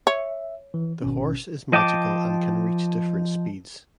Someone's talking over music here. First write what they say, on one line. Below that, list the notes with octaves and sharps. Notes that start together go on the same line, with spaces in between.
The horse is magical and can reach different speeds.
C#5 E5
E3
G#1 B2 C#4
F3 D#5 G5 A5 D6